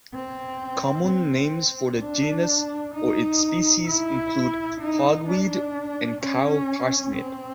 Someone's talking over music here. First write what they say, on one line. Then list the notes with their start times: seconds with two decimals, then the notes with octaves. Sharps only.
Common names for the genus or its species include hogweed and cow parsnip.
0.14 C4
1.07 C4
2.01 D4
2.94 D#4
3.88 E4
4.80 D#4
5.28 D4
6.21 C#4
7.14 C4